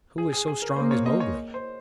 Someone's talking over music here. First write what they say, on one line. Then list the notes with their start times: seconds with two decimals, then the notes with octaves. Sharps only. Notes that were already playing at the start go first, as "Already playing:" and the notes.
Who is so strong as Mowgli?
0.18 G#4
0.33 G#4
0.48 G#4
0.62 A#4
0.76 A#3 C5
0.91 C#5
1.06 D#5
1.20 C#5
1.54 C5